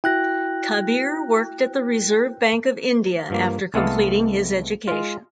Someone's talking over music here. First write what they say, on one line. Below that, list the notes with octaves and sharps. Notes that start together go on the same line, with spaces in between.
Kabir worked at the Reserve Bank of India after completing his education.
E4 F#4 G5 F#6 A#6
G2 F3 A#3
C2 G#3 A3 B3 A4 F5
G#3 F4